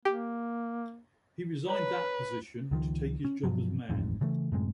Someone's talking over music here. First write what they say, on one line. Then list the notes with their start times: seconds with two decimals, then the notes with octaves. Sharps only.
He resigned that position to take his job as Mayor.
0.05 A#3 G4
1.69 B4 C#5 A#5 F#7
2.71 C#2 D#3 F3
3.25 C#4
3.44 G2 B2 F3 F#3
3.89 D#1 A1 F2 G#2
4.21 C#3 E3 A3
4.52 F#2 A2 C3 G#3